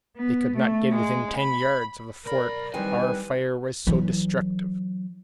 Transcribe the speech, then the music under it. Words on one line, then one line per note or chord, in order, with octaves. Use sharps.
They could not get within ten yards of the fort, our fire was so destructive.
B3
A3
G#3
B5
B1 A#4 D5 B5
D#3 E3 G3 C4 B4 G#5
E3 F#3